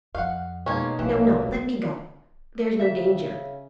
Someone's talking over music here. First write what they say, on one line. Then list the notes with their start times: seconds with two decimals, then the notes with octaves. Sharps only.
"No, no, let me go, there's no danger."
0.15 F2 F5 F#5
0.66 B2 G#3 A#3 C#4 D#4 G#6
0.99 A#1 E3 F#3 A#3
1.49 B3 E4
2.79 C#3 E5